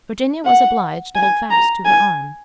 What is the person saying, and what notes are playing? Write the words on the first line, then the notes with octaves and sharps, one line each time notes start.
Virginia was obliged to hold fast to her arm.
F#5
G#5
A#5
G#5